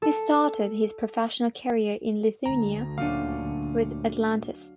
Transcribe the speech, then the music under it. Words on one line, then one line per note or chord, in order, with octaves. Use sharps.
He started his professional career in Lithuania with Atlantas.
A4
D2 A#5
A#2 F#3 A3 C#4 D4 F5